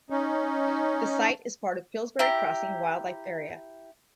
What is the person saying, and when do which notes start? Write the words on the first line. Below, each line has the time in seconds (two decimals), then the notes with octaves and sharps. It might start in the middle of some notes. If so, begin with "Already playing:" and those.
The site is part of Pillsbury Crossing Wildlife Area.
0.10 C#4 D#4
2.19 E4 G4 A#5